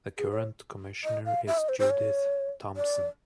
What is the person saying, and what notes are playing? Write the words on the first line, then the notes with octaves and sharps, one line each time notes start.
The current commissioner is Judith Thompson.
G#4
C#5
D#5
F5
E5
D#5
C5
C5
C#5
D5